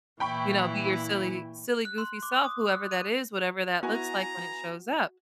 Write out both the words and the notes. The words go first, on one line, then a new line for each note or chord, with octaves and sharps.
you know, be your silly silly goofy self, whoever that is, whatever that looks like when it shows up.
A#2 E3 E4 G5 B5 C#6
F#6
C6
D6
D#6
F#6
D#7
B3 E4 F#4 G#5 A#5